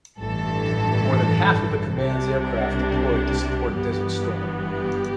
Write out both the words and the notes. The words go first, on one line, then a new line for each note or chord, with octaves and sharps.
More than half of the command's aircraft deployed to support Desert Storm.
A1 G2 E3 A4
C2 C3 G3 D4 G4
G4
G4
G1 G2 E3 B3
G4